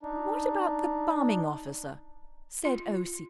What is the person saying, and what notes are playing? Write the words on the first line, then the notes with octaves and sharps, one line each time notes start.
"What about the Bombing Officer?" said O.C.
D4 D#4
F4